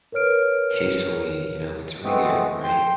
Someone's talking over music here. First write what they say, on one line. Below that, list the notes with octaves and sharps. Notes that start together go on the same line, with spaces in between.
tastefully you know, it's really good, right?
A#4 B4 C#5 F6 D7
E3 G#3 A3 B3 C4
G5 C6